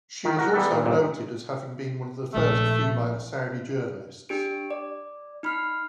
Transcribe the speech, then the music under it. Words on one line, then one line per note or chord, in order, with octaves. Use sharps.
She is also noted as having been one of the first female Saudi journalists.
D#3
F#4 A#4
E3 G3 B3 A4
A#2
G1 A#2
A#1 A3 C4
D4 G4 D7
D5
D#4 B5 F6 C7